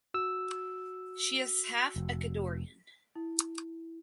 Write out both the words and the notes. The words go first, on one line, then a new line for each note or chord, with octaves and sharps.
She is half Ecuadorian.
F#4 E6
F1
E4